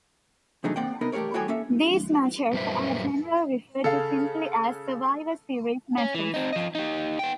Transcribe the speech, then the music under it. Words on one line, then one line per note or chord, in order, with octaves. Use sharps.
These matches are generally referred to simply as Survivor Series matches.
C3 F#3 A3 D4 D#4 G#4
A#3 C4 D5 F#5 G5
C3 B3 D#4 A#4
A3 G4 A#4 C#5 D5
E4 F#4 A4 C#5 G5 G#5
A#3 C#4 A4 E5
F#2 A#2 G3 B4 C5 E5
C#3 A4 F5
C#4
E3
C4 D#4
F3 D#5
D#4 G4
B3 G5